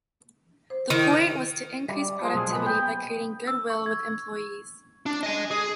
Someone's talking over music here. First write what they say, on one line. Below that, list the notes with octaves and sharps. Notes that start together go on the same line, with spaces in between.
The point was to increase productivity by creating good will with employees.
C5
D#3 E4
G3
F3 G#3 C6
B1 A#2 G#4
B3 G#5 B5
G5
E6
C#6
G#6
D4
D#5 G#5
G#4